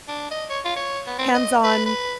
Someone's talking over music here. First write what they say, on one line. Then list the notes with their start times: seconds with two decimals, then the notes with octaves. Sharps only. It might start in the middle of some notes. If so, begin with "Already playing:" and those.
Hands on,
0.08 D4
0.31 D#5
0.50 C#5
0.65 F4
0.76 C#5
1.07 B3
1.18 C4
1.34 D#5
1.64 B4
1.86 B4